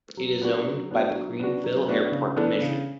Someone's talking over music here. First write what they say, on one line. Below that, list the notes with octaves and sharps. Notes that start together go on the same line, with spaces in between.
It is owned by the Greenville Airport Commission.
F#3
B3 D4 F#4
F#3
B3 D4 F#4
F#3
B3 D4 F#4
F#3
B3 D4 F#4
C#3
E3 B3 D4 A4
C#3